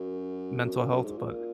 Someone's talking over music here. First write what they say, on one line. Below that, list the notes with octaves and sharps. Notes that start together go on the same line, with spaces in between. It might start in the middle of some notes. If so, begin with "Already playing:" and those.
mental health, but
Already playing: F#2
F2
F#2
F#2
F#2
G#2
A#2